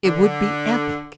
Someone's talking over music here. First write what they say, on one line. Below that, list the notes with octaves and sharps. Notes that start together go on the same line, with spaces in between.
It would be epic.
D3